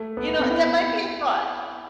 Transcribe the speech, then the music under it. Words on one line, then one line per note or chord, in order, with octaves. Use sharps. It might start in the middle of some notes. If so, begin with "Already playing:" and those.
You know, that might be a thought.
Already playing: A3
B3
B3
C4
E4